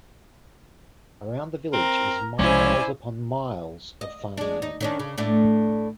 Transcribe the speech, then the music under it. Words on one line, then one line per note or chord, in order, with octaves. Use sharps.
Around the village is miles upon miles of farm land.
C4 A#4 A#5
C2 F3 G#3 C#4 E4 C5 D5 G#5
D#5
G#3 D4
D#4
D#3 C#4 D4
C#3
A2 A3 D4